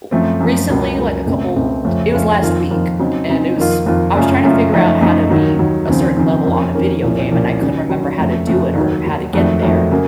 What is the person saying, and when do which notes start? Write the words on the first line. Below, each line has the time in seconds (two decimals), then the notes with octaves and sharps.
ooh recently, like a couple t it was last week, and it was I was tryna figure out how to beat a certain level on a video game and I couldn't remember how to do it or how to get there,
0.11 F#2 F3 A3 C4
0.40 F#2 F3 A3 C4
0.70 C#2 C#3 F#3 A#3
0.98 C#2 C#3 F#3 A#3
1.27 C#2 C#3 A3 C4
1.56 C#2 C#3 A3 C4
1.85 F2 C#3 A3 C#4 F4
2.13 F2 C#3 A3 C#4 F4
2.42 F2 D#3 A#3 F4
2.71 F2 D#3 A#3 F4
2.99 C#3 F#3 C4 D#4
3.29 C#3 F#3 C4 D#4
3.57 F2 D#3 A#3 F4
3.86 F2 D#3 A#3 F4
4.15 F#2 C#3 A3 C#4 F4
4.44 F#2 C#3 A3 C#4 F4
4.72 F#2 F3 A3 D#4
5.01 F#2 F3 A3 D#4
5.30 D#2 D#3 F#3
5.59 D#2 D#3 F#3
5.88 D#2 C#3 F3 C4
6.17 D#2 C#3 F3 C4
6.46 F2 D#3 A#3 C#4
6.75 F2 D#3 A#3 C#4
7.03 C2 A#2 F3 A#3 C#4
7.31 C2 A#2 F3 A#3 C#4
7.60 D#2 C#3 F#3
7.89 D#2 C#3 F#3
8.19 F2 C#3 A3
8.47 F2 C#3 A3
8.75 D#2 D#3 F#3
9.05 D#2 D#3 F#3
9.33 F2 D#3 F#3 A3
9.62 F2 D#3 F#3 A3
9.91 C#3 F#3 A#3